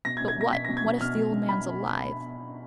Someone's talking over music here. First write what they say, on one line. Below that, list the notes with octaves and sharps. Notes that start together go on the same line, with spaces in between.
But what, what if the old man's alive?
B2 A#6
G#6
B2
G#6
B2 A#6
B2 B6
A#6
B2
G#6
B2
B2 F6
B2
B2
B2 B5
B2